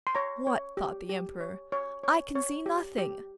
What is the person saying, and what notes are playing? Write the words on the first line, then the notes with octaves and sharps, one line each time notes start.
'What!' thought the Emperor, 'I can see nothing!
C6
C#5 A#5
C#5
G4
G4
C#5
C#5
C#5
C#5
G4
G4